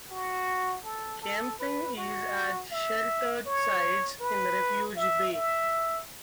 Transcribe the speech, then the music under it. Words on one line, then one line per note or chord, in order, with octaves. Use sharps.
Camping is at sheltered sites in Refuge Bay.
F#4
A4
A4
B4
F#4
E5
C#5
B4
E5
E5